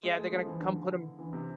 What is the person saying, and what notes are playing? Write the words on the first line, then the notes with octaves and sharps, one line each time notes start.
Yeah, they're gonna come put him
G#3
A3
F3
E3
D3
E3
C3